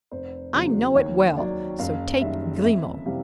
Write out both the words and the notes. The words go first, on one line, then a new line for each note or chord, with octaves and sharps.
"I know it well, so take Grimaud."
F1 C5
E2 C#3 F#3
D#2 C#5
D#3 F#3 D5
F#1 F5
F#2 D#3 G3 E5
F2 E5
C3 E3 G3 F5